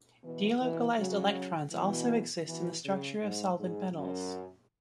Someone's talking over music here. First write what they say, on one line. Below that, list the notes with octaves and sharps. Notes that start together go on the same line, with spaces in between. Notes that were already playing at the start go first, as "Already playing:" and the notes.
Delocalized electrons also exist in the structure of solid metals.
B2 E3
B2 E3
C#3 F#3
B2 E3
B2 E3
C#3
G#2
G#2
F#2